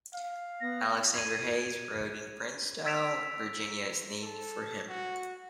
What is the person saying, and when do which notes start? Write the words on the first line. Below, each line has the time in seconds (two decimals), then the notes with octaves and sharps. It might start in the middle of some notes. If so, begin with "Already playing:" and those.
Alexander Hays Road in Bristow, Virginia, is named for him.
0.14 F5
0.60 B3 A#6
1.15 G#6 D#7
2.86 E6 A6 B6 D7 E7 F7
4.23 A4
4.89 F#4